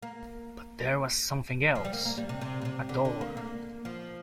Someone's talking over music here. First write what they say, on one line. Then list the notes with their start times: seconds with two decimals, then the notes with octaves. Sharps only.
But there was something else — a door!
0.02 A#3
1.75 F3
1.85 G3
1.93 A#3
2.05 A#3
2.17 G3
2.29 C3
2.41 C3
2.62 A#2
2.65 C3
2.89 D3
3.05 D3
3.21 A#3
3.37 A#3
3.85 F3